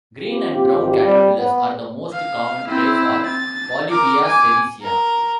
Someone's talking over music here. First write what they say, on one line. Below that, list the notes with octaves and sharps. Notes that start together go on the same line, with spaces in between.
Green and brown caterpillars are the most common prey for "Polybia sericea".
C4 F4 G4
G#1
G3
B3
F5
C4 E4
A6
A#4 D6
G#5 D6
A#4